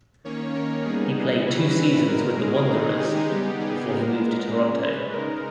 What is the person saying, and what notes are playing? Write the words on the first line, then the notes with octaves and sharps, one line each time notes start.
He played two seasons with the Wanderers before he moved to Toronto.
D#3 A#3 C#4 C#5
A#4
G3 B3 D#4 G#4
G#4
C#3 G3 C#4 E4 B4
B4
B2 G#3 C#4 A#4
G#4
D#3 G#3 D#4
G4
C#3 G3 B3 D#4
G#4
A#2 G#3 B3 A#4
C#3 G#3 C#4
B4
C#3 G#3 D#4 A#4